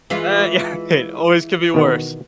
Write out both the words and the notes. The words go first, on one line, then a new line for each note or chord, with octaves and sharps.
Uh, yeah. Hey, it always could be worse.
E3 G#3 F4
B2 D#3 B3